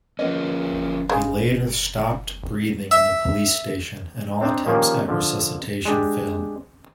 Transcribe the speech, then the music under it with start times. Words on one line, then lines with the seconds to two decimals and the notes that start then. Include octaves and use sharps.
He later stopped breathing in the police station and all attempts at resuscitation failed.
0.19 F3 A#3 B3 C#4 D#5
1.09 C#3 G#3
2.91 E5
4.41 C4 D4 D#4 C5
4.66 D#3 F3 G3 A#3 C#4
5.08 D3 F3
5.85 G#3 D4 G4